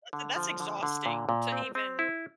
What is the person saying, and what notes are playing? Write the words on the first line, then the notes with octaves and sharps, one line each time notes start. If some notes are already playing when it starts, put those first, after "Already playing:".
That's e that's exhausting to even
D3
F3
D3
D3
A#2
A#2
C4
C4
E4